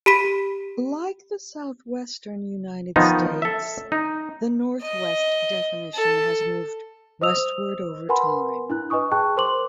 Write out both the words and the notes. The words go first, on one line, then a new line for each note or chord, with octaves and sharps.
Like the southwestern United States, the Northwest definition has moved westward over time.
G4 B5 B6 D#7
D#3 F3 B3 D#4
A4 E5
D#4
D#5
A4
C5 D#5 D#6 E6 F7
A#4 B4 F#5 G#5 B5 C6
D4 E4 F#6
B4 D#5 G#5 C#6 D#6
G#4 G5 A5 C#6 F#6
A#4 C5 C6 D6 F#7